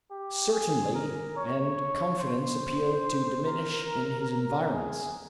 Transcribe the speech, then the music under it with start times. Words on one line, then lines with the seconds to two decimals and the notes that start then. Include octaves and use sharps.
Certainty and confidence appeared to diminish in his environs.
0.11 G4
0.52 G#4
0.94 A#4
1.37 C#5
2.20 C5
3.47 A#4
4.71 G#4